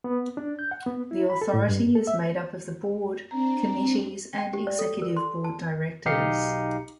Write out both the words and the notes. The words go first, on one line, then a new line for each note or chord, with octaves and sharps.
The Authority is made up of the board, committees and executive board directors.
B3
D4
G6
F#5
B3
E4
B5
A4
A2
G2
A4
E5
C4 D4 A#5
G5
G4
D5
A4
A#4
C6
A5
B1 D#4 G4 F5 C7 C#7